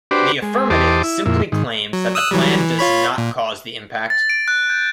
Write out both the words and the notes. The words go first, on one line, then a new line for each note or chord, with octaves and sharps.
The affirmative simply claims that the plan does not cause the impact.
D4 F#4 G4 B4 C5 D5
G#3
E2 G4 C5 D#5 A5 D6
E4
F2 A#2 E4
G#2 D#3
F#3
D#6 E6 F#6
E3 F#3 G3
E3
F4 C#5 B5
A#2
A6
D7
F#6
G6